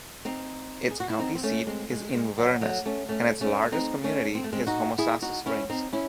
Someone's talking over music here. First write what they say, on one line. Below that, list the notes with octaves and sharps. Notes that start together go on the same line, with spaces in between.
Its county seat is Inverness, and its largest community is Homosassa Springs.
C4 D#4
G#4
F#4
E4
C4 D#4
C4
A3 C#4
G#3 C4
G#3
G#3
F#3
F#3 A3
A3 C#4
A3 C#4
A3 C#4
C4 D#4
A3 C#4
C4
A3
G#3 C4
D#4 F#4
E4 G#4
D#4 F#4
C#4 E4
C4 D#4
C#4 E4